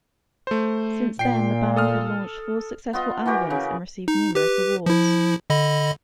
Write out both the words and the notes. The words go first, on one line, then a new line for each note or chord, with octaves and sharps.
Since then, the band had launched four successful albums, and received numerous awards.
A3 C5
A#2 G5 C7
A4 D#6 F6
B3 F4 D#5
E3 F#4 G4 A#4
C#3 G#4
D#4
G4 B4
F3 E4
D3 D#5 B5